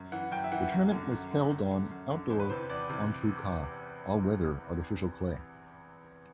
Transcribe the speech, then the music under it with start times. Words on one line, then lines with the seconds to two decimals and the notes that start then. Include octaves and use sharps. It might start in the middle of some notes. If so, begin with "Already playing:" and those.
The tournament was held on outdoor En-tout-cas, "all-weather" artificial clay.
Already playing: F#2
0.12 E3 F#5
0.32 F#2 G5
0.44 E5
0.52 E3 F#5
0.72 F#2
0.91 D3
1.11 F#2
1.31 D3
1.51 F#2
1.71 D3
1.91 F#2
2.10 D3
2.30 E2 C5
2.40 B4
2.49 C3 E3 C5
2.69 E2 D5
2.89 C3 E3